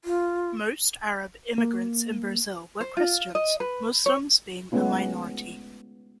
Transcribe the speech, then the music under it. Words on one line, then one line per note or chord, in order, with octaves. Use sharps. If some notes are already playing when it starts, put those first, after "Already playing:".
Most Arab immigrants in Brazil were Christians, Muslims being a minority.
F4
A#3
C5
F4
D#5
B4
C#5
G#3 A3 B3 C#4 F4